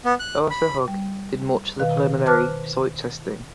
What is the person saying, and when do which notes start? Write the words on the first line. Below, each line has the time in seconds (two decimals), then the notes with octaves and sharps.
Arthur Hogg did much of the preliminary site testing.
0.05 B3
0.19 F#6
0.51 B5
0.88 G3
1.80 B2 D#3 B4 F5
2.26 B4 C5 A5 D6 F6 F#6